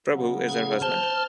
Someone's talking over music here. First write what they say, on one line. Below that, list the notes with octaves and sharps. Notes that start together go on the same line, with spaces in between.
Prabhu is her husband.
C#3 F#3 B3
G#4
C5 A5 F6